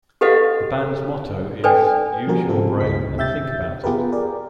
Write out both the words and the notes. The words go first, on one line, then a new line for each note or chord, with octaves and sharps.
The band's motto is "Use your brain and think about it!".
G4 A4 B4 D#5 F5 F#5
A4 B4 D5 G5 G#5
F3 G3 A#3 F#4 A#4
G#2 C#3 C4 F4 A4
C#2 G2 B6
C3 G4 E5 G6 A6
B3 F4 G4 G#4 A#4 B4
G#4 A#4 D5